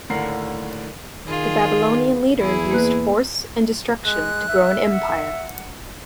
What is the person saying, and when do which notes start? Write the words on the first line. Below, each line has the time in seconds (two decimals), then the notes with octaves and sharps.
The Babylonian leader used force and destruction to grow an empire.
0.09 D#2 A2 D3 A#4 F#5 C7
1.27 D#3 F4 G#4
2.37 E2 E4 G#4
2.71 A#3 B4 F#6
4.05 G#3 F#6
4.48 E5
4.90 F#5